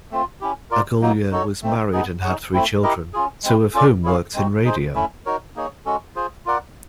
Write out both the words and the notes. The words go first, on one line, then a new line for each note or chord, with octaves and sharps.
Aguglia was married and had three children, two of whom worked in radio.
A3 C4 F4
C#4 E4 G4
F4 A#4 D5
F#3 A#3 D#4
D#4 F#4 A4 C#5
A3 C4 D#4
B3 D#4 G#4
D#4 G#4 C#5 F#5
A3 C4 E4
E4 G4 A#4 D#5
C#4 F4 G#4
G#3 C4 E4
C#4 F4 A4 D5
E4 G#4 C#5 F5
G#3 C4 D#4 F#4
D#4 G#4 C5
A3 C#4 E4
D#4 F#4 A#4 C#5
A#3 D#4 G#4 C#5
G#3 C#4 F#4 A4
F4 G#4 C5
F4 A#4 D5 F#5